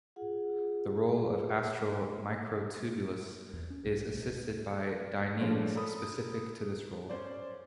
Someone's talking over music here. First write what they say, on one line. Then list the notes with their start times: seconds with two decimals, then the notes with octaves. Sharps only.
The role of astral microtubules is assisted by dyneins specific to this role.
0.16 F4 G#4 F#5
3.53 E2
3.70 C#4
3.84 B1
4.09 B1
4.22 D1
5.39 G2 F3 G#3 A3 C#4 D4
5.75 A4 A#4 B5 D#6
7.10 C#4 C5 D5